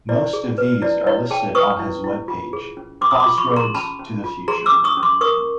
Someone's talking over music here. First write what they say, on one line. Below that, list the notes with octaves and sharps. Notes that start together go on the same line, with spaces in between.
Most of these are listed on his webpage, "Crossroads to the future".
E4 D5
G#4
B4
E4 D5
E4 C#5 D#5
G#4 G5 A5
B4 C#6 D#6
E4
E4
F4
G#4
C#4
C#4 C6 D6
D#6
C6 D6
F4
B5 C#6
G#4
A#5 C6
C#4 A5 B5
C#4
F4
G#4 A#5 C6
D6 E6
C#4
C#6 D#6
C#4
C6 D6
A#4 C#6 D#6